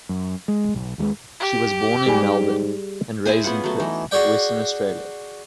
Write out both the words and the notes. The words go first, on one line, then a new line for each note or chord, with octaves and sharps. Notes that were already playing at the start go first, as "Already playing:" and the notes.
She was born in Melbourne and raised in Perth, Western Australia.
F#2
G#3
B1
D#2 G3 G#3
G4
G#2 G3 G#4 G#5
E4 G#4 C5 G#5
B3 C#4 F4 F#5
F#3 A3
E3 D#4
F#4 G#4 D5 G5